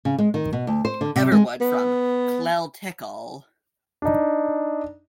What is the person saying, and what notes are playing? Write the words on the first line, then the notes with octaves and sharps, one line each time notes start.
Everwood from "Clell Tickle".
C#3
G#3
D#3
B2
D2
C5
D3
C3
G#3
B3
D4 D#4